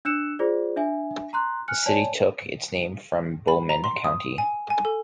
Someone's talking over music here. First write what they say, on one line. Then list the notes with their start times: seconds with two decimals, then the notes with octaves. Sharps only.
The city took its name from Bowman County.
0.05 D4 E6 F#6 C#7 E7
0.39 F4 G#4 C5 D5
0.76 D4 E5 G#5
1.33 A#5 C6 F#6
1.68 G#5 F6 F#6 C#7
1.86 C#5 D5 G#5 A5
3.48 B5
3.69 A#5
3.84 C6
4.04 D#6
4.38 G#5
4.70 G#5
4.85 A4